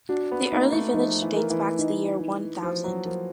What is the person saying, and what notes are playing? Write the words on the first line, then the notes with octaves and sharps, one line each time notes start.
The early village dates back to the year One Thousand.
D4 F#4
B3
A#3 D#4
A3
F3 D#4
E3
A#4
E3
D#4
D#4
F3 F#4
F#3
F3 A#4